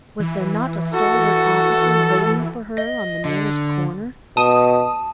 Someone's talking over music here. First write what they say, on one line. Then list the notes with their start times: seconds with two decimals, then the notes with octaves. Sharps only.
Was there not a stalwart officer waiting for her on the nearest corner?
0.20 E3
0.94 F#4 A4
2.78 D#5
3.25 D3
4.37 B2 A5 D#6